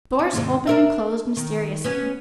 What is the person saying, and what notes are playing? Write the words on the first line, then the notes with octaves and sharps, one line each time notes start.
Doors opened and closed mysteriously.
C#4
D#2 G#2 C3
D4 A#4 E5
D#3
B3 C#4